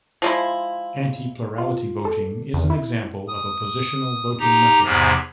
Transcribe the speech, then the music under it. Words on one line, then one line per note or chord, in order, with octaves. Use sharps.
Anti-plurality voting is an example of a positional voting method.
F3 G#3 E4
F4
A4
E2
E4
D#6
D#4 G4 A#5
E2 G#2 C3 F3